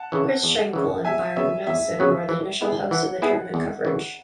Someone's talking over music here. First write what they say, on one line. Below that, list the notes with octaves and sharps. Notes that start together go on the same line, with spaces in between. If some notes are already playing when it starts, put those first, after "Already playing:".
Chris Schenkel and Byron Nelson were the initial hosts of the tournament coverage.
Already playing: F#5 A5
C#3 E3
E2
C#3 E3
E2 E5 G#5
C#3 F#3 B3 E5
E2 E5
C#3 F#3 B3
E3
B3 E4 G#4
E3 F#5
B3 E4 G#4
E2
C#3 E3